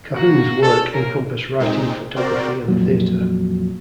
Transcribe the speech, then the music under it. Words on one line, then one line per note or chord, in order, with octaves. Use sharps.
Cahun's work encompassed writing, photography, and theater.
A#3 F#4
C#4 D4 A4
A#3 C#4 A#4
A#2 G#3 C4 D#4
C4 F#4 A#4 C5 D5
F2 A#2 F#3